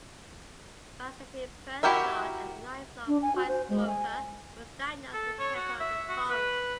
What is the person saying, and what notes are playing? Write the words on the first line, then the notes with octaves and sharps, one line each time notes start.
While stationed in Perth, Chard-a lifelong pipe smoker-was diagnosed with cancer of the tongue.
E4 F#4 G4 A#4 E5
D4
G#5
F#4
C5
G#3
G#5
A4
C#5
F#4
E5
F#4
B4